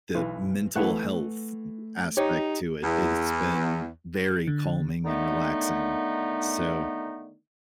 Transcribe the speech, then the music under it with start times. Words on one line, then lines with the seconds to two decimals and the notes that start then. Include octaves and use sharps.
the mental health aspect to it. It's been very calming and relaxing. So
0.15 B1 E3
0.76 E3 A3 F#5 F#6
2.17 D#4 G4 C#5
2.84 E2
4.47 D3
5.05 D3 D#3 A3 B3 D#4